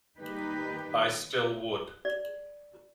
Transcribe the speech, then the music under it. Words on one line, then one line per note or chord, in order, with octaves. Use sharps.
I still would.
D#3 G3 A#3 D#4 G4 B4
D5